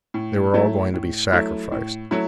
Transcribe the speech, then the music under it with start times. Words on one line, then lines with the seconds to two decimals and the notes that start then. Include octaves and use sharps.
They were all going to be sacrificed.
0.14 A2
0.54 F#3 A3 E4
0.94 A2
1.32 F#3 A3 E4
1.72 A2
2.11 F#3 A3 E4